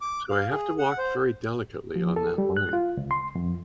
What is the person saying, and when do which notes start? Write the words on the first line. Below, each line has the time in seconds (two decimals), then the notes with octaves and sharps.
So I have to walk very delicately on that line.
0.01 D6
0.30 F5
0.50 G#4
0.79 F#5
0.98 C5
1.95 F3
2.16 A4
2.38 G3
2.57 F#6
2.73 F4
2.97 C#2
3.11 C6
3.35 F2